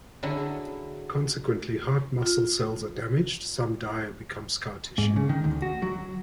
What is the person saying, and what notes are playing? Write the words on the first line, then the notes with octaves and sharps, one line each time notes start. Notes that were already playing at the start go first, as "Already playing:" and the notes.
Consequently, heart muscle cells are damaged; some die or become scar tissue.
D3 F#3 E4 G#4
F4
G#2
C#3
D#3
D2
F#4
F#3